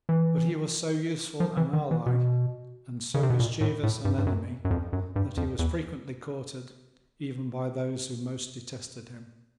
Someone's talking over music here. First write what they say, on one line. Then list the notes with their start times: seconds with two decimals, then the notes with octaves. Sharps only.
But he was so useful an ally, and so mischievous an enemy that he was frequently courted even by those who most detested him.
0.09 E3
1.40 F3
1.57 E3
1.73 D#3
1.91 E3
2.06 B2
3.14 C#3
3.23 C3
3.30 B2
3.40 A#2
3.61 A2
3.83 A2
4.05 G2
4.18 G2
4.27 F#2
4.65 F#2
4.71 F2
4.93 F#2
5.16 G2
5.37 F2
5.59 E2